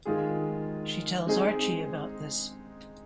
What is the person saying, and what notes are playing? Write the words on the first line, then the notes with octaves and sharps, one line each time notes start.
She tells Archie about this.
D#3 G#3 F4 G#4
G#3 C4 D#4 G#4